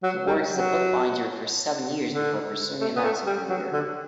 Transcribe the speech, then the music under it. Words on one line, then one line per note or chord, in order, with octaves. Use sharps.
He worked as a book-binder for seven years before pursuing an acting career.
F#3
G3
F#3
D3
A3
B3
A3
G3
F#3
D3